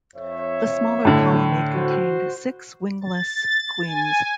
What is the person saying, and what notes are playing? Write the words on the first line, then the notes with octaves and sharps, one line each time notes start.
The smaller colony contained six wingless queens.
F2 C#5 E5
A2 D3
F#4 C5
A6
G#5